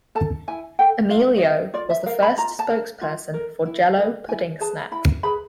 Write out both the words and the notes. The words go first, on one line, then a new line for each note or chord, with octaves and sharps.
Amelio was the first spokesperson for Jell-O Pudding Snacks.
A4 A5
E4 G#5
A4 G5
F4 F5
D#5
A#4 E5
F4 D5
E5
A#4 F5
B5
F4 A#5
A5
A#4
F4
A#4
E4
G#4 B4
E4 G#5
G#4 B4 A5
E4 B5
G#4 B4 B5